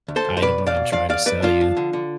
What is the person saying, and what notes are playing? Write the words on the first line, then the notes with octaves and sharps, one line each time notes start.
item that I'm trying to sell you."
D2
A4 C5
D2
C5
B2 B4 D5
B1
D5 F5
B2
F3 D5 F5
E2 D5 F5
E2 B4 D5
F3 D4 F4
F3
D3
D3